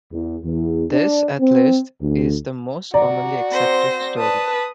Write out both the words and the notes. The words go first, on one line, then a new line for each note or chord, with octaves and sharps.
This, at least, is the most commonly accepted story.
E2
E2
D4
C4
D2
F#4 D5 A#5
C4 C5 A#6
B4 A5 D#6